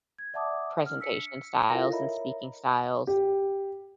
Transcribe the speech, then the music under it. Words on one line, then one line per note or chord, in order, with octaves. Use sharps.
presentation styles and speaking styles.
G#6
D5 E5 F#5 A5 D6 D#6
D4 F6
E6 B6 C#7
E4 F4 A4 A#4 F5 A#6
A#4 C#5 D#5 E5 A#5 B5
G4